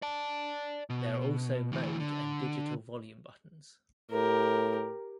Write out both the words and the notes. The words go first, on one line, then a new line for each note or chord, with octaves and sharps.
There are also mode and digital volume buttons.
D5 A5
B2
D2 E3
D3
A2 G4 A#4